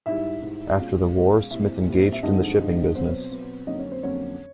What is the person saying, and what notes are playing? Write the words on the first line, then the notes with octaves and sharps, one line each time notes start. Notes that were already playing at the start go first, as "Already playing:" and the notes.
After the war, Smith engaged in the shipping business.
G#2 D#3 G3 E4 E5
G#2 D#3 G3
B2 G#3 C#4 F4 F5
B2 G#3 C#4
A#2 G3 C4 E4 E5
A#2 G3 C4
E5
G2 D3 F3 G#3 C4 D#4 D#5
G2 D3 F3 G#3 C4
B2 F#3 B3 C4 C5
B2 F#3 B3
F2 D3 F#3 A#3 C#4 D#4 D#5
C#4 C#5
C4 C5
F2 D3 F#3 A#3 C#4 C#5